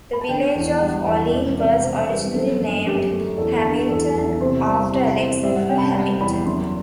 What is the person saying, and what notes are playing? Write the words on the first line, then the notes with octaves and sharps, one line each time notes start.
The village of Olean was originally named "Hamilton", after Alexander Hamilton.
B5
A5
D3 G5
E2
G3 F#5
E2
E1 D5
C3 D5
E1 C5
G3 B4
F#2 A4
G1
F#2 G4
A3
E2 A4
D3
E2 A4
E2
C3 C5
G3
C3
C4
G3 E5
F#5
C3 G5
B5
A5
G3 A5
E2 B5
F#2 C6